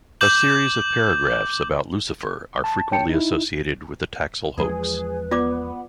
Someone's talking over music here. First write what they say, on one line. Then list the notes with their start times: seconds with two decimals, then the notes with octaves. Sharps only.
A series of paragraphs about Lucifer are frequently associated with the Taxil Hoax.
0.21 D6 G6 F#7
2.64 A5
2.92 C#5 G5 A5 C#7
3.09 D#4 E4
4.58 E2 F3 G#3 G#4 B4
5.31 B3 F4 D5 D6